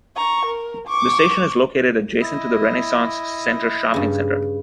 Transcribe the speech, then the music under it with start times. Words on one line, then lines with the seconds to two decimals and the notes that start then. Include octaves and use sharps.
The station is located adjacent to the Renaissance Center Shopping Center.
0.16 A#5 C#6
0.45 A#4
0.87 C#6 D6
2.21 E4 D#5
3.94 G2 C#3